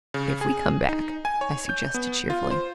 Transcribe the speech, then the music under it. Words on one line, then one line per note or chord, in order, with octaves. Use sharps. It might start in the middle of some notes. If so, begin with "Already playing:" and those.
"If we come back," I suggested cheerfully.
C#3
G#4
D#4
G#5
C#5
G6
B3
F4
C5